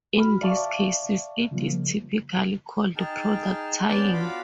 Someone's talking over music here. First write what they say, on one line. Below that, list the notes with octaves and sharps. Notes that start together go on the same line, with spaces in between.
In these cases it is typically called product tying.
F#4 B5 F6
D5 E5 F5 A5 C#6 D6
C#3 F3 G3 A#3
D#4 G#4 G5 A5 F6
B3 C#4 D4 D5 A5 G6
F4 F#4 F5 B5 D6